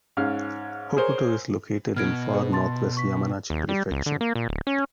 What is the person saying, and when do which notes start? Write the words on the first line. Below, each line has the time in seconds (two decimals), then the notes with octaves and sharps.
Hokuto is located in far northwest Yamanashi Prefecture.
0.17 G#2 C#4 F5 F6
0.97 G#4 A#4 C5 C#5
1.96 B2 F6 G#6 D7
2.33 G#4 B4 C5
2.52 A5 C6 A6
2.97 C#6 B6
3.50 D#2
3.69 G3
3.91 C#2
4.06 D3
4.21 A#3
4.35 A#2
4.49 D1
4.67 C#4